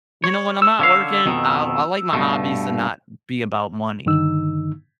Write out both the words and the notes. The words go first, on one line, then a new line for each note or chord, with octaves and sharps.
you know, when I'm not working, I I like my hobbies to not be about money.
C#5
E6
D3 C#4 F5
F2 B2 D#3
G2 B2 A3
G2 D3 D#3 D#4 E6